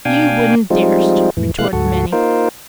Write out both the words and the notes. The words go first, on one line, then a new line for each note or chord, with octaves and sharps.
"You wouldn't darst," retorted Minnie.
B2 D4 F5 G5 G#5
F3 G3 G#3 C4 D#4 F4
F2 A2 E3
B2 E3 G#3 A3 F5 F#6
D2 G#2 F#4 A4
A#3 D#4 F4 A#4 C5